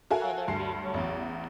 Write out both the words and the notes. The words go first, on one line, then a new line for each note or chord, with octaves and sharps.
Other people.
F#4 A4 A#4 E5 F5 G#5
D2 G2 A5 C7
A1 E2